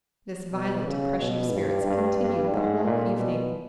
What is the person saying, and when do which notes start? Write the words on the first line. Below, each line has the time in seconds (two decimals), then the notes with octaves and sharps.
This violent oppression of spirits continued the whole evening.
0.52 B2
0.85 C#3
1.19 B2
1.51 G2
1.84 G2
2.17 G2
2.51 G#2
2.84 A#2
3.18 B2